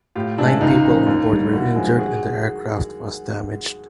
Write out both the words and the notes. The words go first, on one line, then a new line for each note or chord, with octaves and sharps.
Nine people on board were injured and the aircraft was damaged.
A2 F4 G4
E3 G#3 D4 E4
C#2 D#4 F4
C#3 F3
D#2
D3 G3
D#2 E4 F#4
D3 F3 G#3
F#4 G#4